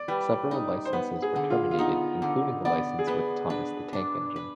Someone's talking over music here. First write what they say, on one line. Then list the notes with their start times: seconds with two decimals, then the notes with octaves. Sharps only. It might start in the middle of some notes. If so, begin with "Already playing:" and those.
Several licenses were terminated including the license with Thomas the Tank Engine.
Already playing: D5
0.08 G3 B4
0.51 D#4
0.85 C5
0.93 B3 B4
1.22 G#4
1.36 D3
1.50 F4
1.71 F4
1.78 B3 D#4
2.22 D3
2.65 B3 D5
2.99 G#4
3.07 B3 B4
3.50 D4 B4
3.93 D4
4.36 B4